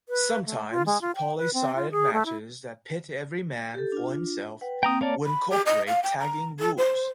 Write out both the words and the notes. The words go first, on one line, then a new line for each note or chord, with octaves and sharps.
Sometimes, poly-sided matches that pit every man for himself will incorporate tagging rules.
B4
A3
F4
G#3
F4
G5
B4
C4
F4
G#4
A3
E4
G4 A4
D4 F4
B4 F#5 G5
A#3 C4 G5 A#5 D#6
A#3 A#4 C#5 D5 A5
B5
G4
D#5
F5
G5
A#5
A4
C5